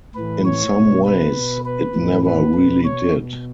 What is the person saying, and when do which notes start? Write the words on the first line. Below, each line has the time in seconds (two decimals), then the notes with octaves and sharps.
In some ways, it never really did.
0.15 A2 E3 B4
0.45 C#5
0.75 B2
1.06 B4
1.35 B2
1.65 B4
1.95 A2 E3
2.25 B4
2.55 B2
2.85 C#5
3.15 B2